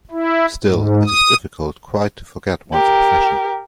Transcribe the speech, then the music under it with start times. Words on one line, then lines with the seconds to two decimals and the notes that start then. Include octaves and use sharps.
Still it is difficult quite to forget one's profession.
0.11 E4
0.67 G#2
1.06 D#6
2.73 G4 A#4